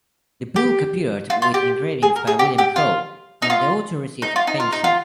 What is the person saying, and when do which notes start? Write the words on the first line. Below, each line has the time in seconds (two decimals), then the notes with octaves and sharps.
The book appeared with engravings by William Hole, and the author received a pension.
0.56 G4
1.30 F4
1.42 F4
1.54 G4
2.03 G#4
2.16 A#4
2.27 G#4
2.39 G4
2.58 G4
2.76 F4
3.42 D#4
3.50 F4
4.22 D#4
4.36 F4
4.47 D#4
4.60 F4
4.72 D#4
4.84 F4